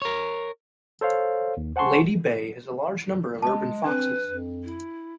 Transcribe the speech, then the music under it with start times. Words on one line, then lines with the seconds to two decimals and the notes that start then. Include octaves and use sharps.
Lady Bay has a large number of urban foxes.
0.02 A#4 C#5
1.01 A4 C5 C#5 F5
1.57 D#2
1.76 C5 F#5 G#5 A5 C6 C#6
3.42 G#3 D#5 A5
3.84 C4 D4 B4
4.27 F2
4.64 E4